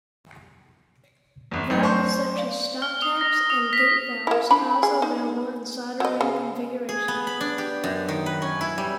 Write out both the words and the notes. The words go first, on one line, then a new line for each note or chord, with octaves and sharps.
Valves such as stoptaps and gate valves are also available in solder ring configuration.
G1 E2
G#1 F#3 A3 D#4
C5 C#6
C#5
D5 F5
F6
D#6
A#6
D#6
B6
A#3 E4
F3 D4 B5
G#4
D#4
F#3 D#5
C#3
G#4
B3
B5
D4
G4
F#2
D#3
B4
C#4
E4
G3